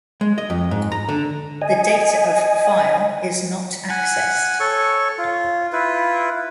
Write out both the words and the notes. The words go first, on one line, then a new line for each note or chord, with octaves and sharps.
The data of file is not accessed.
G#3
D#5
F2
G#2
A#5
D3
D#5 G#5
F#5 G#5
A4 C#5 C#6
F4
E4 F4 B4